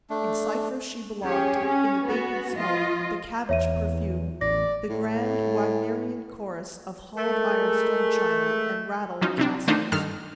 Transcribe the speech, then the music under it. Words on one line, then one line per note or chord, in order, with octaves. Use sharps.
In Cypher's she belonged--in the bacon smoke, the cabbage perfume, the grand, Wagnerian chorus of hurled ironstone china and rattling casters.
A3 D4
C#4 G4 G#4 C#5
C#4
B3 F#4
F3 F4 D#5
E2 C#5 E5 D#7
A1 D5 A#6
A2
G#3 A3 A#4
F3 F#3 C#4 D#4 F4
C3 C4 D4
D#3 A3 D4 D#4 F4 C5
G2 D#3 A4 F6